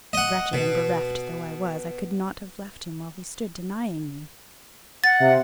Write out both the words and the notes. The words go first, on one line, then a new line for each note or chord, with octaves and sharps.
Wretched and bereft though I was, I could not have left him while he stood denying me.
D#5 F#5
B2
F#5 A6
C3 E5